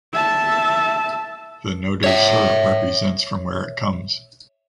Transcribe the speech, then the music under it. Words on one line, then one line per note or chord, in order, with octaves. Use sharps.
The Nodo Sur represents from where it comes.
E5 A5
C#5 E5